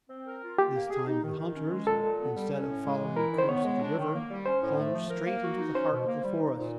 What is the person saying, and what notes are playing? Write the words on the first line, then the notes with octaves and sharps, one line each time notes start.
This time, the hunters, instead of following the course of the river, plunged straight into the heart of the forest.
C4
A#4
F4
A#3 G4
A#3
G#4
D#4
D#3
D#3
C#4
G#3
A#2 A4
A#2
B3
G3
C#4
A2
G#3
E3
E4 A#4
D#3
C5
B3 C#5
G#3
D4
D#3
A#3
G3
C#4 C5
A2
A3
F3
A#4
A#3
F#4
D#4
C#4 C5
B2
A#3
G3
D#4
A#2